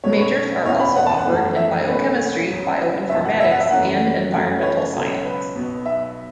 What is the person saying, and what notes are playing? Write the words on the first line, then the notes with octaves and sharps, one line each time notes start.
Majors are also offered in Biochemistry, Bioinformatics, and Environmental Science.
B1 B2 F#3 A3 C#4 C#5
B4
C#5
E1 E2 E3 C#4 C#5
B5
F#5
A5
F#5
F#2 E3 A3
E5
E2 B2 A3 C#4 B4
C#2 C#3 F#3 C#4
F#1 E2 B2 B3 E5
F#5
E5
F#5
E5
F#2 E3 A3 C#4 F#5
F#2 C#3 A3 C#4 F#5
B4
C#5
C#2 B2 F#3 C#4 A4
B4
B1 B2 B3
E5